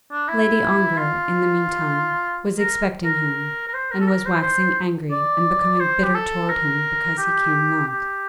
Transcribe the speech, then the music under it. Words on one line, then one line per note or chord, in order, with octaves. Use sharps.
Lady Ongar, in the meantime, was expecting him, and was waxing angry and becoming bitter toward him because he came not.
D4
E4
F4
A#4
A#4
A#4
C5
A#4
A4
A#4
C5
C5
D5
C5
G4
A4
A#4
G4
G4